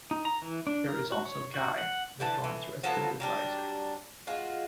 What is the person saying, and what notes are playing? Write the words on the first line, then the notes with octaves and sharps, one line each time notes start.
There is also Guy, the dorm's resident adviser.
D#4
A#5
E3
D4
A#4
F#4
C#5
F#4
F#5
D3 E3 A5
E3
F3 F#3 B3 A4
F#3 G3 D4
G#3 F4 F#4